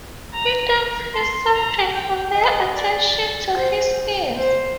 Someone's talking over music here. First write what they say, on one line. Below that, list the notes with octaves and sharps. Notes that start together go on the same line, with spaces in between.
He thanks his subjects for their attention to his ease.
A#5
C6
A#5
G5
D#5
D5
C5
C5